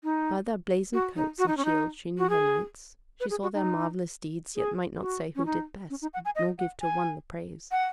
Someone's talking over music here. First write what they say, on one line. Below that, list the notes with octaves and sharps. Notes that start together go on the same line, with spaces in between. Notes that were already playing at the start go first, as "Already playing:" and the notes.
By their blazoned coats and shields she knew her knights; she saw their marvellous deeds, yet might not say who did best, nor give to one the praise.
D#4
F#4
D#4
F#4
D#4
C#4
D#4
F#4
G#4
B4
G#4
F#4
D#4
G#4
F#4
C#4
D#4
C#4
D#4
F#5
G#5
D#5
F#5
G#5
F#5